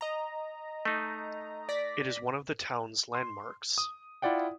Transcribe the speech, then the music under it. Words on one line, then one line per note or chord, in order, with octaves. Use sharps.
It is one of the town's landmarks.
D#5 A#5
A3 D#4
D5 A#6 B6
C6
D#6
E4 F4 D5 F#5 G5